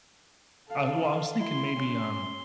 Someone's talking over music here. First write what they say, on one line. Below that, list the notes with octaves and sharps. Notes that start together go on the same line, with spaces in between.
I well, I was thinking maybe, um,
A4 F5
E4 C6
C#4